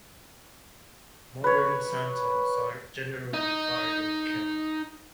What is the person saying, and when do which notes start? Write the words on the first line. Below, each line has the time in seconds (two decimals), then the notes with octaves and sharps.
Modern "santons" are generally fired in a kiln.
1.44 B4 C#5
3.33 D#4 D#5